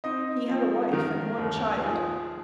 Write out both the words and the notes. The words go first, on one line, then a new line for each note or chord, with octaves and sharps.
He had a wife and one child.
C4 D#4 D#5
F3
D#3 A#4
D#2
F3 G#4